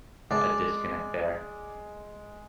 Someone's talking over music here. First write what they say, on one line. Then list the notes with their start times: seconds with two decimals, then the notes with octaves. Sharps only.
a disconnect there.
0.31 G#3 D5 A5